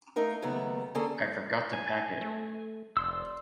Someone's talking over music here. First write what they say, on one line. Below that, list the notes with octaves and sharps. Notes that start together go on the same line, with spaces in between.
I forgot to pack it.
A3 D#4 A#4 F5
D#2 C#3 F#3 A3 B3
D3 A#3 C#4 G#4 A4 G#5
G#5
A3
F1 D5 C6 E6